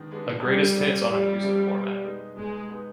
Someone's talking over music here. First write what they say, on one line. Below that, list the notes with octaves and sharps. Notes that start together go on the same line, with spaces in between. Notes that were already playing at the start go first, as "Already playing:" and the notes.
A greatest hits on acoustic format.
Already playing: D#3 G#3 B3 D4
G#3 B3 D4
F2 G3
C#3 F#3 A3 C4
F2 G3
C#3 F#3 A3 C4
B2
G#3 B3 D#4
B2 G#3
G#3 B3 D#4